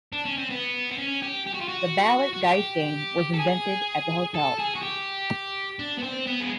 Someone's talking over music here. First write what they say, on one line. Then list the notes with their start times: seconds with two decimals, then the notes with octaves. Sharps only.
The balut dice game was invented at the hotel.
0.13 D4
0.25 C#4
0.37 C4
0.50 B3
0.91 C4
0.98 C#4
1.22 G4
1.46 G4
1.54 F#4
1.61 F4
1.68 F#4
2.33 F#4
2.43 G4
3.34 A4
3.39 G#4
4.34 A4
4.59 G#4
4.76 F#4
4.83 G4
5.79 D4
5.99 B3
6.03 C4
6.27 B3
6.40 G#3